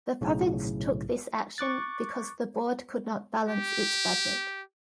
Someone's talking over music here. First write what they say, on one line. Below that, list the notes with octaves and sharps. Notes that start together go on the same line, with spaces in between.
The province took this action because the board could not balance its budget.
B1 A2 C#3
C#6 D6 F#6 A6
G4